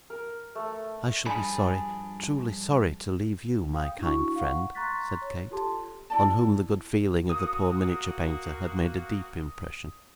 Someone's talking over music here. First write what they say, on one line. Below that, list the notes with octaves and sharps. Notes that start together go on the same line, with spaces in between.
'I shall be sorry--truly sorry to leave you, my kind friend,' said Kate, on whom the good feeling of the poor miniature painter had made a deep impression.
A#4
A3
G2 F3 D4 G#4 B5
F5 G5 D#6
D4 E4 F#4 C#6
F5 F#5 C#6
A#5 C6 C#6 F#6 A6 B6
C#5
F4 G4 A4 A5 C6
E4 D5 A5
A#3 F#4 D#6